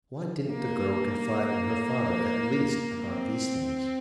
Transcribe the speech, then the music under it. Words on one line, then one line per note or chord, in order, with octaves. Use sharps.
Why didn't the girl confide in her father at least about these things?
A#3
C4